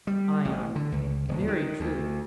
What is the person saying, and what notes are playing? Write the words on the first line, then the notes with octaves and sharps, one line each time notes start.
ION: Very true.
G3
A1
D3
C#2
D#1
D#3
D2